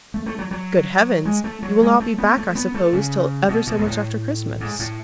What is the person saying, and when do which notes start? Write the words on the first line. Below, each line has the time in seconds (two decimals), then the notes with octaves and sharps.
"Good heavens! you will not be back, I suppose, till ever so much after Christmas?"
0.14 A3
0.26 A3
0.39 F#3
0.51 F#3
1.25 G#3
1.44 A3
1.63 F#3
1.82 G#3
2.00 A3
2.18 B3
2.37 A3
2.55 B3
2.74 A3
2.93 C#3
3.49 B2
3.67 B2
3.79 G#2
3.87 A2
4.61 G#2
4.79 A2